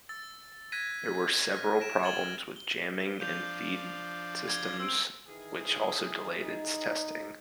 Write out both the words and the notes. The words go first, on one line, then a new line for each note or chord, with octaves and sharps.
There were several problems with jamming and feed systems, which also delayed its testing.
E6 A6
F#6 G#6 A#6 B6 D#7
B6
F6 A#6
A#6 B6 D7 E7
G#6 A6 D#7 E7 F#7 G7
G7
F3 D4 G6 F7
G#6 G7
C4 E6 D7
D#3 E3 G#4
D#4